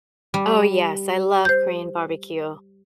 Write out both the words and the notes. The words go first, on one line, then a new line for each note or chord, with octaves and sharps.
Oh, yes, I love Korean barbecue.
G3
C5 G6